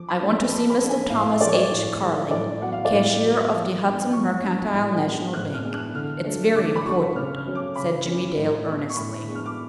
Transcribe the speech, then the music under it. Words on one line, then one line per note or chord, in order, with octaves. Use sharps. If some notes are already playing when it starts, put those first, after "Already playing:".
"I want to see Mr. Thomas H. Carling, cashier of the Hudson-Mercantile National Bank--it's very important," said Jimmie Dale earnestly.
Already playing: F3 D6
B5
A3 D4
B5
F3 A5
B5
A3 D4
G#5
A2 F5
F3 G#3 C#5 D5
D5
A2
F3 G#3
A2 D5
F#3 B3 F#5
F5
D5
A2 F5
F#3 B3
F3
B3 D4
F3 C#6
B3 D4
A2
G#3 B3 D4
A2 F#6
F6
G#3 B3 D4
F#6
D3 F6
F#3 A3 D4
D3 D6
B5
F#3 A3 D4 C#6
C#3 F6
F6
F#3 C#4
D6
C#3 B5
F#3 C#4
A2
G#3 B3 D4
C#6
A2 B5
G#3 B3 D4
F6
D6